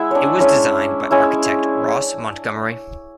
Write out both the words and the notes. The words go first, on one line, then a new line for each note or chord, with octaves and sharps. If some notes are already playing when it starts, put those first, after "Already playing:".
It was designed by architect Ross Montgomery.
Already playing: G#3 E4 E5 F#5
D4 C#5 D5
G#3 C#4 E4
G#3 C#4 E4